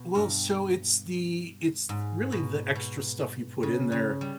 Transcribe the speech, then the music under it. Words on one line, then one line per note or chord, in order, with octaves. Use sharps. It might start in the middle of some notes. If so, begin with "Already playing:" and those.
Well, so it's the it's th really, the extra stuff you put in there,
Already playing: B2
G2
G#2
B2
B2
C#3
C#3
G3